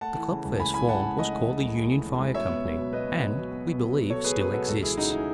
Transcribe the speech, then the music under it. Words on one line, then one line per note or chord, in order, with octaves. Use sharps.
The club first formed was called the UNION FIRE COMPANY, and, we believe, still exists.
A3 F#5 A5
E3
C#3
C#2
A3 G#5 B5
E3 G#5 B5
C#3 F#5 A5
C#2
A3 D#5 F#5
E3
C#3
C#2
A3
E3
C#3
C#2
B2 C#5 E5
B3
F#3
B2
B2 B4 D#5
B3
F#3
B2
B2
B3
F#3
B2
B2 A4 C#5
B3 G#4 B4
F#3 G#4 B4
B2 F#4 A4
C#2 F#4 A4
E3 E4 G#4
C#3 D#4 F#4
E4